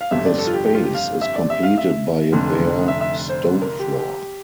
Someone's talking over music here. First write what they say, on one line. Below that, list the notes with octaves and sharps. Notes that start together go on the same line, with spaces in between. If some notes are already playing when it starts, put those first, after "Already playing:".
The space is completed by a bare stone floor.
F5
G1 F2 C3 E5
D5
A4
F4
G4
G4
F4
G4
F5
E5
D5
E5
F5
E5
F1 F2 D3
E5
E5
C5
A#4
G4
G4